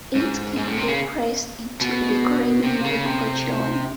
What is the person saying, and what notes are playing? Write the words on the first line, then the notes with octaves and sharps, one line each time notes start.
It can be pressed into a decorative mold before chilling.
G#2
G#2
A2
C3
C#3
B2
C3
C#3
C3